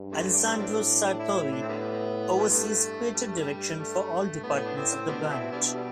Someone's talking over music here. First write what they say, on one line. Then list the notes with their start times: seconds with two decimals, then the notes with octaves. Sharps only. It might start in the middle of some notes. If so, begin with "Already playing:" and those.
Alessandro Sartori oversees creative direction for all departments of the brand.
Already playing: G2
0.12 C3 E3 A3
0.33 D4
0.46 C4
0.54 A2 G3 B3 D4
1.19 E4
1.36 E4
1.52 D4
1.62 C4
1.68 D3 G3 B3
2.38 G3
2.49 G2 A3
3.14 G3
3.27 A3
3.40 G3
3.79 A3
4.43 A2 B3
4.65 D4
4.76 A2 C4
5.08 B2 G3 B3 D4
5.29 A3 C4 E4
5.52 G3 B3 D4
5.73 G3